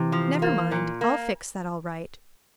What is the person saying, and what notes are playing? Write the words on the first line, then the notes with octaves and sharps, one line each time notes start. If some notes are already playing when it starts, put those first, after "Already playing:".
Never mind, I'll fix that all right.
Already playing: C3 E3
F3
A#3
A#2
A#3